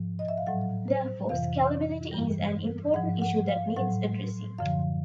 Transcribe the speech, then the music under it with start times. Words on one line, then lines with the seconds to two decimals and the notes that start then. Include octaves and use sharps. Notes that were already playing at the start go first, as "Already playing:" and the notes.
Therefore, Scalability is an important issue that needs addressing.
Already playing: G#2 F3
0.19 D#5
0.28 E5
0.38 F5
0.47 A2 F#3 F#5
0.88 C5
1.29 F2 C3 E3 F5
2.11 G2 E3 G3
2.94 G#2 F3 F#5
3.22 F#5
3.49 F5
3.76 A2 F#3 F#5
4.58 F#2 D3 F3 F5